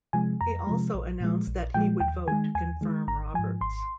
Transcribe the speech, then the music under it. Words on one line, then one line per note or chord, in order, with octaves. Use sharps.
He also announced that he would vote to confirm Roberts.
C3 F3 G#3 G#5
F2 A#5
C3 F3 G#3
A#1
A#2 F3 G#3
A#1
A#2 F3 G#3 G5
D#2 G5
D#3 G#3 G#5
D#2 G#5
D#3 G#3
G#1 A#5
G#2 F3 G#5
G#1 C6